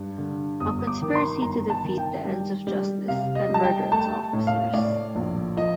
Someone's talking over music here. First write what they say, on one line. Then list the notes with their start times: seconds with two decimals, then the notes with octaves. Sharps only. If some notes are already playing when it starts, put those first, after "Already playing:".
A conspiracy to defeat the ends of justice, and murder its officers.
Already playing: G2
0.18 D3
0.60 G1 D#6
0.87 D6
1.02 D#3
1.15 C6
1.42 G1 A#5
1.70 A5
1.84 D#3
1.98 G5
2.25 G3
2.67 G3
3.08 C3 F5
3.35 D#5
3.49 G3
3.54 A5
3.64 G5
3.92 A3 A5
4.33 A2
4.47 F5
4.74 A2 D5
5.15 A#1
5.57 F3 D#5